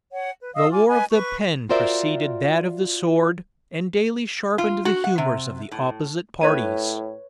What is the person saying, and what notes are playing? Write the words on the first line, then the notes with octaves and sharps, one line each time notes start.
The war of the pen preceded that of the sword, and daily sharpened the humors of the opposite parties.
C#5 F#5
B4
D#5 F5 D#6 E6
F4 G#5 D6
B4 D#5 G#5
B4 C#6
F4 F#4 A#4 C5 D5 E5
F4
F#4
F#5
C3
A2
A2 B4 C#5 D#7